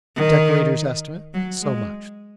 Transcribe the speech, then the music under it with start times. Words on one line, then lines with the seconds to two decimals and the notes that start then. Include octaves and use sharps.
Decorator's estimate, so much.
0.16 D#3
1.34 F#3
1.62 G#3